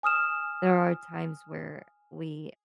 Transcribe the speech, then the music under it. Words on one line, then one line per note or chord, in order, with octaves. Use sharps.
there are times where we
G#5 D#6 F6 E7